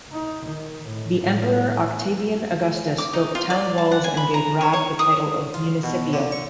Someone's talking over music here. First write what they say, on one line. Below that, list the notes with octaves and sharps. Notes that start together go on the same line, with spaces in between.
The emperor Octavian Augustus built town walls and gave Rab the title of Municipium.
D#4
D#3
A2
A2
D6
D#4
F4
D5
A5
F#5
G#5
B5
A#5
C#5
C#5
D#6
F4
B2
D3
C#6